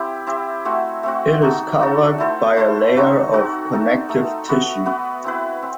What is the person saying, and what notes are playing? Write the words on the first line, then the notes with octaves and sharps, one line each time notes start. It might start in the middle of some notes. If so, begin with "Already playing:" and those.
It is covered by a layer of connective tissue.
Already playing: C4 E4 G4
C4 E4 G4
A3 C4 F#4
A3 C4 F#4
D#4 F#4 A4
D#4 F#4 A4
A3 E4 A4 C5
A3 E4 A4 C5
C4 D#4 F#4 A4
C4 D#4 F#4 A4
A3 D#4 A4
A3 D#4 A4
B3 F#4 B4 E5
B3 F#4 B4 E5
C4 E4 B4
C4